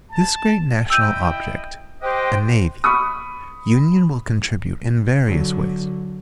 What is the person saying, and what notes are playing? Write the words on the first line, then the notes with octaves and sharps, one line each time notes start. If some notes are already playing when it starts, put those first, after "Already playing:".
To this great national object, a NAVY, union will contribute in various ways.
A5
E4 D#5 G5 E6 G6 D#7
G4 C5 D#5 G5 F#6
B5 C#6 D#6
D3 F#3